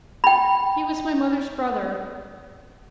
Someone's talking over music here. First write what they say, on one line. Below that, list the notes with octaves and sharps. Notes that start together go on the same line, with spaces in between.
He was my mother's brother.
G5 B5